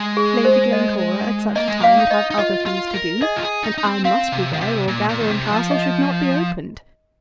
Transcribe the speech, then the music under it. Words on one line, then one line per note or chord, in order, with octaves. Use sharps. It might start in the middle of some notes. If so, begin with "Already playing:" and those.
Lady Glencora at such a time would have other things to do, and I must be there, or Gatherum Castle should not be opened.
Already playing: G#3
G#4
C5
D#5
A#3 D#5
G#3
A#3 F5
D#4
D#5
D#4
F4 D#5
F4
A#4
G#4 D#5
F4
G#4
D#4
D#4
C4
C4 F5
C3
D#3
C3
A#2
A#2
D#3
C3
G#3
F3
D#5